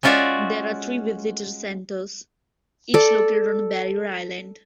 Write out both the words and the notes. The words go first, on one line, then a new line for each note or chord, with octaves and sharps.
There are three visitor centers, each located on a barrier island.
G#3 C#4 F4 F#4 D5 E5
A4 D5